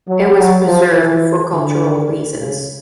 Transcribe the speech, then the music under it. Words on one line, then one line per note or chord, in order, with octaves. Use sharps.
It was preserved for cultural reasons.
F#3
F#3
F3
E3
D3
C#3